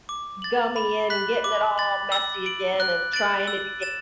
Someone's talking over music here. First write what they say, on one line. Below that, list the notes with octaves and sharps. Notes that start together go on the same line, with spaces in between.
gummy and getting it all messy again and trying it again
D6
A6 F#7
B5
F#6 B6 F#7
D6
A6 F#7
E6
D7 F#7
F#6
A6 D7 F#7
E6
A6 E7